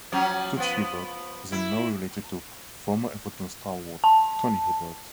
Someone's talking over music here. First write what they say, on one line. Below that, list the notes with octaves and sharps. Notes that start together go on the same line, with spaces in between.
Toots Hibbert is in no way related to former Everton stalwart Tony Hibbert.
F3 F#3 C#4
F3 B3
E4
A5